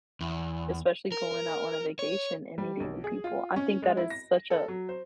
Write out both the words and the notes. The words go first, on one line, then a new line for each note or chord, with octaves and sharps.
especially going out on a vacation and meeting new people. I think that is such a
E2
A#4
C#5
G3
B1
G#4
F4
C#4
G#3
E4
A#6
A4
F#3
C5